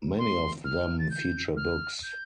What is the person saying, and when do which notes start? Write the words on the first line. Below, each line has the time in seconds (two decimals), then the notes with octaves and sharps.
Many of them feature books.
0.18 C6
0.64 F6
0.99 A6
1.10 G6
1.56 F6
2.03 G6